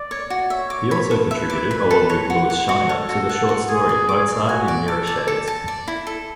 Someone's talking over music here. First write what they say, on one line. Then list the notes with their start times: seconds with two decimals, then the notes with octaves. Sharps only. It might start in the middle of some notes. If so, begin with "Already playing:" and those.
He also contributed, along with Lewis Shiner, to the short story "Mozart in Mirrorshades".
Already playing: D5
0.11 C#5
0.30 F#4
0.50 C#5 E5
0.70 D6
0.91 B5
1.11 A4
1.30 B4 E5
1.50 D6
1.71 B5
1.91 A4
2.10 C#5
2.30 F#4
2.50 F#5
2.69 F#4
2.89 A4 C#5
3.09 F#4
3.29 F#5
3.49 F#4
3.68 G#4 G#5
3.89 D5
4.09 D6
4.28 D5
4.48 F#4 G#5
4.68 D5
4.88 A4 D6
5.07 D5
5.28 A4
5.48 A5
5.68 D5
5.88 E4
6.07 A4